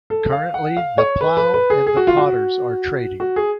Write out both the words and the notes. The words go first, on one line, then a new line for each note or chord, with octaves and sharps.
Currently The Plough and The Potters are trading.
A4
F5
F#5
F5
C#5
B4
B4
B4
G#4
G#4
F#4
F4
F#4
F#4
G#4